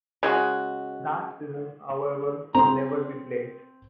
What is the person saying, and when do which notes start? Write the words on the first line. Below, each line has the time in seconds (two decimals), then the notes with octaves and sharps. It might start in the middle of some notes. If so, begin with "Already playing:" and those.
That season however would never be played.
0.23 C#3 G#3 F#4
2.55 C4 A#5 C6